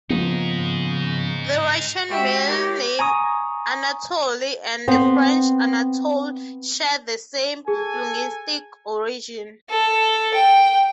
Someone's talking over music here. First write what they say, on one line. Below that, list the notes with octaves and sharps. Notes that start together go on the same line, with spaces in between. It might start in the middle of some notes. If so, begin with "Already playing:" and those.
The Russian male name Anatoly and the French Anatole share the same linguistic origin.
C#3 F3 A#3 B3 D#4 G#4
G#3 F#4 G4 E5
G4 A#4 C#5
G#5 A#5 C#6 D#6
B3 C4
G#4 A4 G#5
A4
G5